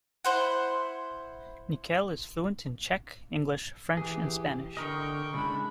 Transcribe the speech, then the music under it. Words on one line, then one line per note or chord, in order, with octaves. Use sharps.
Nykl is fluent in Czech, English, French and Spanish.
E4 C5 F#5
E3 G4 G#4
D3 A#4 D#5 G5 C#6
C#3 G#3 D4 E4 B5